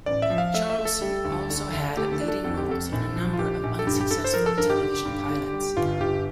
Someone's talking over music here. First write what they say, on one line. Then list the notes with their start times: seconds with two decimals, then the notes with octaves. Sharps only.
Charleson also had leading roles in a number of unsuccessful television pilots.
0.06 A1 D5
0.22 E5
0.30 F3
0.38 F5
0.54 A3 E5
0.70 E5
0.78 A3
0.85 A4
1.02 G3
1.25 D2
1.50 D3
1.73 D2
1.97 A3 G4
2.12 A4
2.20 D4
2.28 A4
2.44 F2 A4
2.57 G4
2.68 F2 A4
2.92 A#1
3.16 F3
3.33 F4
3.39 A#1 G4
3.63 A#1
3.79 A4
3.87 G2 G4
4.01 G4
4.11 G2 A4
4.24 C5
4.34 F3 A#4
4.46 A4
4.58 G2 A#4
4.70 G4
4.82 D3
5.05 G2
5.29 D3
5.53 G3
5.77 G1 F4
6.00 G1 G4